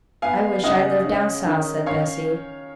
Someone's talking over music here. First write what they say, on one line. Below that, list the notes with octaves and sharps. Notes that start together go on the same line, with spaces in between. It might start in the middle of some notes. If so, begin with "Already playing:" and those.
'I wish I lived down South,' said Bessy.
B3 F5 G#5
C#3 D#5 F#5
C#4
D#3
C#4 C#5 F5